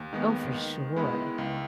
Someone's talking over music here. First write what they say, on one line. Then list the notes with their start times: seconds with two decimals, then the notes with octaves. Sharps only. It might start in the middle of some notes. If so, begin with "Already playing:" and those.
Oh, for sure.
Already playing: D#2
0.13 D#3 G#3 B3
0.55 D#3
0.96 G#3 B3 E4 B4
1.38 C#2